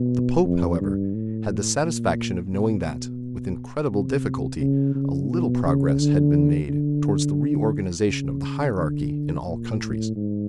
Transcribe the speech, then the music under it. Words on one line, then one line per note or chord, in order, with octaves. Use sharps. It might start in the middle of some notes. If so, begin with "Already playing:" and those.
The Pope, however, had the satisfaction of knowing that, with incredible difficulty, a little progress had been made towards the reorganisation of the hierarchy in all countries.
Already playing: B2
F2
G2
A2
A#2
B2
C3
C#3
C#3
B2
C#3
D3
D3
C#3
D3
A#2
A2
G#2